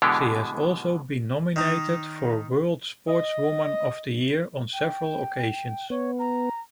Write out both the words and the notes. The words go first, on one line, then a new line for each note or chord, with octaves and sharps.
She has also been nominated for World Sportswoman of the year on several occasions.
B2 D3 E3 G#3 B3 G4
D#3 D#4
D#5
G5
B3 C#5
A#5